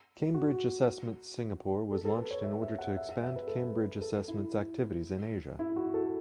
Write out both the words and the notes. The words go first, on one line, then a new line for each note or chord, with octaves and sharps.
Cambridge Assessment Singapore was launched in order to expand Cambridge Assessment's activities in Asia.
F#4
A4
A4
B4
C#5
E5
E5
F#5
E5
E5
E5
B4
A4
B4
A4
E4
E4
F#4
A4